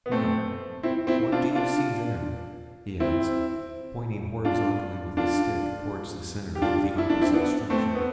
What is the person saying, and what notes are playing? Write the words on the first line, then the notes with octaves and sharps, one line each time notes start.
'Now, what do you see there?' he asked, pointing horizontally with his stick towards the centre of the opposite structure.
B3
A3 C4
C4 E4
C4 E4
D4 F4
D4 F4
C4 E4
D4 F4
D4 F4
G4
D4 F4
E4
D4
C4 E4
B3 D4
A3 C4
B3